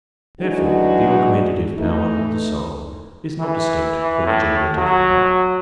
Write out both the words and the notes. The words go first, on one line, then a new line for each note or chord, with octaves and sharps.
Therefore the augmentative power of the soul is not distinct from the generative power.
E3 F#3 G#3 D4 D#4 F#4
E3 A3 D#4
E3
A2
F#3